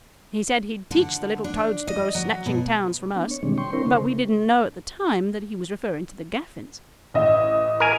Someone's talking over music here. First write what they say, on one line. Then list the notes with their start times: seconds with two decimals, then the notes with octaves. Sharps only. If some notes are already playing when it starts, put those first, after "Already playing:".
He said he'd teach the little toads to go snatching towns from us, but we didn't know at the time that he was referring to the Gaffins.
0.91 D3
1.44 D4
1.87 D#5
2.15 F#3
2.46 B2
3.16 B3 D4
3.31 C#5
3.43 B2 D#3 G3 G#3 C4 D4
3.58 G5 C6 C#6
3.73 C4 D4 E4 A#4 C5
3.86 C#3
7.14 A1 D#5 E5
7.80 A#4 G#5